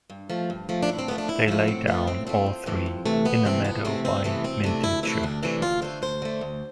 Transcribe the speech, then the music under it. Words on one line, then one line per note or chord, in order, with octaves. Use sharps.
They lay down, all three, in a meadow by Minton Church.
G2
F3 A3
G2
F3 A3
D4
A2 E4
C4
F3 A3 B3
D4
A2 E4
F3 A3 E4
A2 C4
F3 A3 B3
A2 C4
F3 A3 C4
F2
C3 E3 A3
F2
C3 E3 A3
F2 B3
C3 E3 A3 C4
F2 B3
C3 E3 A3 C4
D2 C4
C3 E3 A3 B3
D2 C4
C3 E3 A3 D4
D2 E4
C3 E3 A3 E4
D2 D4
C3 E3 A3 D4
D2 F4
D3 A3 C5
D2 C5
D3 A3
D2